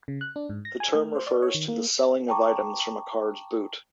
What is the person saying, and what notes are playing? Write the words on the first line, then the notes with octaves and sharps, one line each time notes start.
The term refers to the selling of items from a car's boot.
C#3
F#6
D4
G#2
A#6
G#5
A3
C5
D5
C#5
D#3
A#3
G5 A5 A#5 C#6 D6